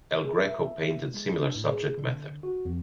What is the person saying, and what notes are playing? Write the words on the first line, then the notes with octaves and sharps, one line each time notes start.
El Greco painted similar subject matter.
G#4
E5
G#3
D4
A2
G#4
D3
F#4
F2